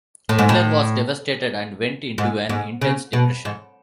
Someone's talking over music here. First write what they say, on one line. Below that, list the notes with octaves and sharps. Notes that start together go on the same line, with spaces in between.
Hitler was devastated and went into an intense depression.
A2
G#2
A2
G#2
G#2
C#3
B2
G#2